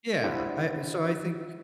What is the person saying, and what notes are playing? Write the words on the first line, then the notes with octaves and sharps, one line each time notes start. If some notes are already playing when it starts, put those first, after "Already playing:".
Yeah. I so I think
D4 E4 G4 C5 F#5 B5